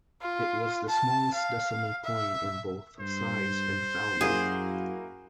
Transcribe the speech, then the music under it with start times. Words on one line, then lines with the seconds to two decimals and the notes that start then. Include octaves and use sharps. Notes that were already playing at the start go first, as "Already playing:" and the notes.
It was the smallest decimal coin in both size and value.
0.21 F4
0.88 A5
1.34 F5
2.04 E5
3.00 G2 C5
4.21 F#2 A#3 E4 F#4 G#4